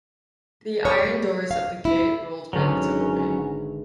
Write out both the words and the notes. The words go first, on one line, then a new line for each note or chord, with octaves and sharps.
The iron doors of the Gate rolled back to open.
C#5
G3
F5
E4
G#1 D3 F#3 C#4 B4